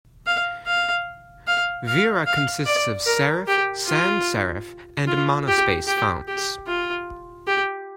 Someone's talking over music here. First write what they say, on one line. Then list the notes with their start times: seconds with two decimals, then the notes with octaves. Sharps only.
Vera consists of serif, sans-serif, and monospace fonts.
0.26 F5
0.67 F5
1.47 F5
1.87 F5
2.27 F5
2.67 D5
3.06 A#4
3.48 G4
3.87 F4
5.07 F4
5.48 G4
5.87 G4
6.28 G4
6.68 F4
7.47 G4